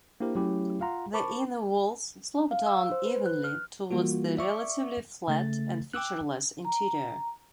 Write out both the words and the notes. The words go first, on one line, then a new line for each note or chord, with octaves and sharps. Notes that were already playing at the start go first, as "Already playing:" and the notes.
The inner walls slope down evenly towards the relatively flat and featureless interior.
A#3 D4 E4 G4 A#4 C5
F#3 A3 C#4 E4 G4
F4 F5 F#5 A#5 C6
A#4 C5 A5 B5 C#6 D6
F5
E6
C5
B4
F#6
F6
E3 G3 A#3 F4 F#4
D5 E5 C#6 D6
C#3 A3 A6
G5 D6 E6 F#6
A#5